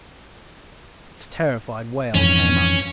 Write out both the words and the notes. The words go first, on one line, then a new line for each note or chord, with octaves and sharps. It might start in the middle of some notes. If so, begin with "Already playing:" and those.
Its terrified wail came up.
F2 G#2 E3 C#4